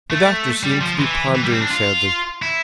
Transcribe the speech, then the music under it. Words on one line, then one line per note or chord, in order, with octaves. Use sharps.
The doctor seemed to be pondering sadly.
A3
G3
F3
E3
E3
G3
C4
D4
F4
E4